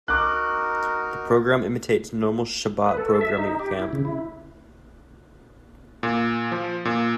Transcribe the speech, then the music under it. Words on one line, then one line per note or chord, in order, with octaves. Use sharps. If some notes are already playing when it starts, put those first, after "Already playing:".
The program imitates normal Shabbat programing at camp.
D#4 F#4 A#4 D6 F#6
B4
A4
E5
D#4
G4
E4
C#3
E4
A#2
F3
A#2